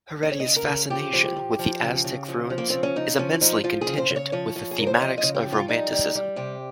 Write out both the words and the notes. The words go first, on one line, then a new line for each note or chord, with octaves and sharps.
Heredia's fascination with the Aztec Ruins is immensely contingent with the thematics of Romanticism.
C#3 D#5
C#5
D#5
C#3
A#4
C#3
F3 G4
F3
F3
F3
C#3
C#3
F3
F3
A#3
C#3 C4
C#4
C#3 D#4
F3 C#4
F3 D#4
F3 F4
G#4
C#3
C5
C#3
C#5
F3 C#5
F3
G#4
C#3 A#4
C5
C#5
F3 D#5
D#5
C#3
G4
F3
F4
G3 D#4
G3
G3
C3 G4